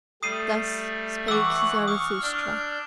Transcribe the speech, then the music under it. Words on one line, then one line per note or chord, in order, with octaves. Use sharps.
Thus spake Zarathustra.
G3 A3 D#6 C7 D#7
E3 F#5 C#6 D6 E6
C#6 D#6 F6
D4 G6